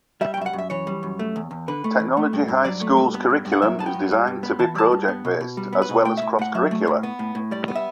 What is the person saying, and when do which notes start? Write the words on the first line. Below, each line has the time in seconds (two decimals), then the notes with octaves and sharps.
Technology High School's curriculum is designed to be project-based as well as cross-curricular.
0.21 G3 E5
0.34 G5
0.37 F#2 E5
0.46 F#5
0.53 F#2
0.58 E5
0.70 E3 C#5
0.87 G3
1.03 F#2
1.19 A3
1.36 E2
1.51 E2
1.68 D3 B4
1.84 A3
2.00 E2
2.17 A3
2.33 G2
2.48 G2
2.64 F#3 D5
2.81 A3
2.97 G2
3.14 B3
3.30 G2
3.46 G2
3.52 F#5
3.62 F#3 E5
3.79 B3 A5
3.86 G5
3.94 G2
4.11 G3
4.27 G2
4.43 B3
4.59 E3 A5
4.75 G3 A5
4.92 G2
5.08 B3
5.25 B2
5.41 B2
5.57 G3
5.73 B3
5.82 B4
5.89 B2
6.05 A3 G5
6.17 A2 E5
6.39 A2 F#5
6.55 F#3 E5
6.71 A3
6.87 A2
7.03 B3
7.19 A2
7.35 A2
7.51 G3 D5
7.68 B3
7.75 E5